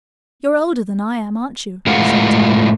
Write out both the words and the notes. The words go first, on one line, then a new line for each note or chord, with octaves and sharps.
"You're older than I am, aren't you?" said Tom.
A2 G#3 F4 A#4 F5 F#5